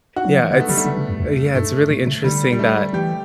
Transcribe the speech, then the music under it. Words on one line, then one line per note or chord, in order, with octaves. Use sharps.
Yeah, it's uh, yeah, it's really interesting that
F#4
F#3
E3
D3 B3
A3
D3 G3
A3
C#3
C#3
F#2
E2
G2 A3
B2
C#3
D3 G3
G3
A3
E3 G4